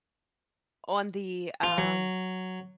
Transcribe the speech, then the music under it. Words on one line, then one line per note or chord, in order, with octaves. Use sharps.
on the, um,
F4
F#3